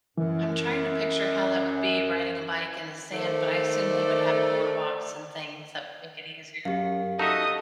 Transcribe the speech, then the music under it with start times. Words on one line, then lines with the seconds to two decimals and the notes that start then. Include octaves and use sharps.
I'm trying to picture how that would be riding a bike in the sand, but I assume they would have boardwalks and things that make it easier.
0.18 F#2 E3
3.14 D#3 A3 C5 D5
6.65 F#2 G4 F5
7.19 D#4 F#4 A4 D#5 E5 D#6